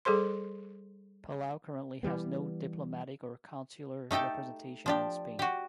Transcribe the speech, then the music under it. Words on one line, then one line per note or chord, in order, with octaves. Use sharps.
Palau currently has no diplomatic or consular representation in Spain.
G3 G#4 A4 C5 C6
E3 F3 G3 B3
A3 D#4 G4 A4 G5
F3 D4 G4
F#4 G4